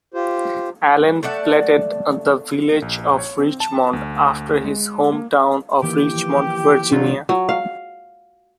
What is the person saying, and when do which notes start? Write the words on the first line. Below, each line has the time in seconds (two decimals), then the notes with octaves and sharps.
Allen platted the village of "Richmond", after his home town of Richmond, Virginia.
0.14 F4 G4 C5
1.23 A3 D5 E5 F#5
2.82 A#1
3.18 C#5
3.39 C4
3.60 A5
3.93 D2
4.65 G#3
5.12 A#3
5.83 D#3 E3 A#3 G4
6.16 F3
6.92 D2 C3 F#3 D4 F4
7.29 F#3
7.49 F5